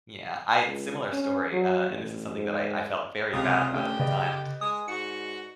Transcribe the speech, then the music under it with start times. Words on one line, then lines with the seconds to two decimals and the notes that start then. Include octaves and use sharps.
Yeah. I similar story, uh, and this is something that I I felt very bad about at the time.
0.65 C#2
1.13 C#4
1.52 F#3
1.90 A1
2.35 G#2
3.33 C#2 C3 F4 D#6
3.73 D3 A3 C#4 G4
4.00 C#3 B4 D5 D#5
4.61 G#3 D#6
4.88 G#2 F#4 C#7